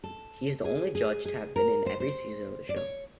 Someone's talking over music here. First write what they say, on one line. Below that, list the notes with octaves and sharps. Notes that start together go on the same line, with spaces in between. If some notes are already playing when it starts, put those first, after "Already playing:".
He is the only judge to have been in every season of the show.
A4
G#4
G#4
G#4
A#4
C5
C5
D5
C#5